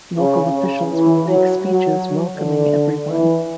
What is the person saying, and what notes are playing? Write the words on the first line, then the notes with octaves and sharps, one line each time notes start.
Local officials will make speeches welcoming everyone.
C#3
C#3
E3
F#3
F#3
D3
E3